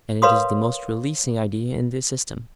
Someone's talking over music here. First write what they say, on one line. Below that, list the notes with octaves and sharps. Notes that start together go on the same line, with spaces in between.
And it is the most releasing idea in the system.
A#4 B4 C#5 F5 C6 D#6